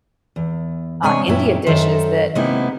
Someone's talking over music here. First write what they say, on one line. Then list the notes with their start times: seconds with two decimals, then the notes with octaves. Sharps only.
uh, Indian dishes that,
0.36 E2
1.03 C3 G#3 D4 C#5 G#5
1.27 F#2 A#2 E4 G4
1.66 F#2 D#3 A4 C5 E5
2.35 C3 G#3 A#3 B3 D#4 E4